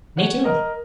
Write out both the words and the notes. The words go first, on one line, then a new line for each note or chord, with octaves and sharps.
Me too!
C#5 F#5
A#4 D#5